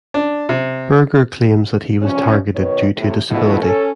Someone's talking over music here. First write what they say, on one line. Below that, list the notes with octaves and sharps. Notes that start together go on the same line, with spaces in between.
Berger claims that he was targeted due to a disability.
D4
C3
G2 C3 F3 C#4
B2 D#3 B4 C#5
A2 C3
G2 B2 F3 A3 B3 E4
C#4 A4